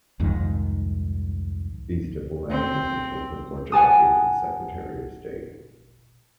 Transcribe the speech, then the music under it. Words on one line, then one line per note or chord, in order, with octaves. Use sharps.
These diplomatic officials report directly to the Secretary of State.
C2 F2 G#2 D#3
C4
F#5 G#5 A5 D#6